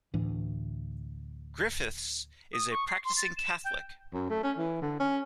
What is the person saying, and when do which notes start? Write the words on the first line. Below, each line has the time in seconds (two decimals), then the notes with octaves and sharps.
Griffiths is a practising Catholic.
0.14 D2 A2 E3 D4
2.53 D#6
2.71 C#6
2.88 C7
3.05 C6
3.17 A6
3.37 E7
3.64 G5
4.13 F#2
4.30 A3
4.44 C#4
4.58 E3
4.82 D3
5.00 C#4